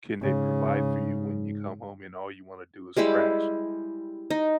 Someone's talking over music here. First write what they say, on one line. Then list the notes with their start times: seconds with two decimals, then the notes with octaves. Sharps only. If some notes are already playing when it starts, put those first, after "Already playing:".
can they provide for you when you come home, and all you want to do is crash,
0.21 G#2 C#3
2.97 G3 G#3 E4 G4
4.30 D#4